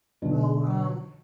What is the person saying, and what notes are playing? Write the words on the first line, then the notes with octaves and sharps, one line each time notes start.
Well, um,
B1 B2 D3